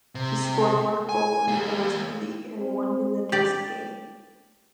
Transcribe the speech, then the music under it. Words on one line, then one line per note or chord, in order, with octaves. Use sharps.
He scored one goal in the domestic league and one in the test game.
C3
G#5
A#3 G4
C4
G4 D5